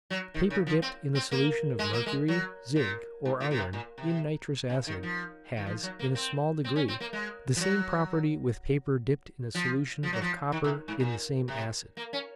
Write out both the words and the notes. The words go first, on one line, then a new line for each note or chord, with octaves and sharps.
Paper dipped in a solution of mercury, zinc, or iron, in nitrous acid, has, in a small degree, the same property with paper dipped in a solution of copper in the same acid.
F#3
D#3
C#3
F3
C4
C4
A#3
G#3
A#3
G#3
F#3
A#2
G#2
A#2
A#2
C3
A#2
C3
C#3
D#3
F3
D#3
F3
F#3
A#3
C4
C4
C#4
C4
A#3
G#3
F3
F#3
F3
F3
F#3
F3
D#3
C3
G#2
A#2
C3
A#3
C#4